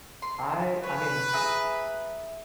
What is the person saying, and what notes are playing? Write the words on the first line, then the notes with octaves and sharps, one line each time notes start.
I I mean, w
C6
B4 C#5
G#4 E5 A#5